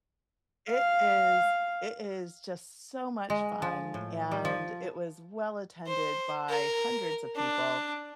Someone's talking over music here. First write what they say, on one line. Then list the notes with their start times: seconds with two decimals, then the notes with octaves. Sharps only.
It is it is just so much fun, and it was well attended by hundreds of people.
0.70 F5
3.30 G#3
3.62 F3
3.94 A2
4.31 G3
4.45 F3
5.87 C5
6.49 A#4
7.36 D4